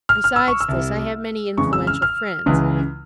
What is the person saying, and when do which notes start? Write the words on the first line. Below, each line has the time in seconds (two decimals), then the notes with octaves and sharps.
Besides this, I have many influential friends.
0.09 F6
0.24 F6
0.36 E6
0.48 C#6
0.61 E6
0.69 C2 C3 G3
1.57 F2 C#3 E3 G#3 C#6
1.73 E6
1.87 F6
2.02 F6
2.46 C#2 C#3 E3 G#3